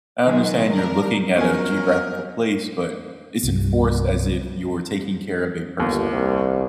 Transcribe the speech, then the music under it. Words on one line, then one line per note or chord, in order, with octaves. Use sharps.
I understand you're looking at a geographical place, but it's enforced as if you're taking care of a person,
D#3 F#3 G#3
D4 A#4
F#3 B3 C#4 F4 A#4 G#5
C2 G2
G1 D#2
C2